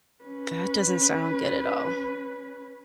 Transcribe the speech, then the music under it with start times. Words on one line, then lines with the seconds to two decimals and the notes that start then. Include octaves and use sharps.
That doesn't sound good at all.
0.24 C#4 B4